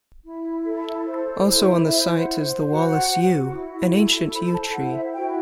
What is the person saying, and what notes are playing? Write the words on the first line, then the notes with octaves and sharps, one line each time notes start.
Also on the site is the Wallace Yew, an ancient Yew Tree.
E4
A4
C5
E4
C5 E5
F#5
C5
F#4 F#5
F#4
E4
A4
C5 B5
A5
E4 F#5
E5
F#4 G5